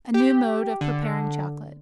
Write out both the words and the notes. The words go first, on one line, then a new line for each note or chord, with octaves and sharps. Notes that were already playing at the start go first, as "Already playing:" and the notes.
A New Mode of Preparing Chocolate.
G4
D3